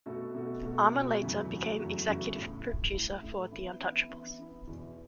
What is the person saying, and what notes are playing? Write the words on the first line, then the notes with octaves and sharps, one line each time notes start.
Armer later became executive producer for "The Untouchables".
B2 A3 F#4 A4
B2 A3 F#4 A4
B2 A3 F#4 A4
B2 A3 F#4 A4
E2 C#3 F#3 A3 F#4
E2 C#3 F#3 A3 F#4
E2 C#3 F#3 A3 F#4
E2 C#3 F#3 A3 F#4
A2 A3 E4
A2 A3 E4
A2 A3 E4
A2 A3 E4
E3 B3 E4
E3 B3 E4
E3 B3 E4
E3 B3 E4
E2 B2 B3 E4